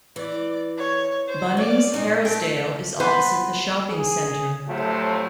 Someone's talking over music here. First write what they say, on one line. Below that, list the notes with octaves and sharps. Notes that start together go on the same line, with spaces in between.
Bunnings Harrisdale is opposite the shopping centre.
E3 D5
C#5
C5
C#4 D5
A#2 G#3 C#4 D#4
A3 A#4 G5
B3 B4 C5
G#4
D2 A2 C3 F3 F#3 A3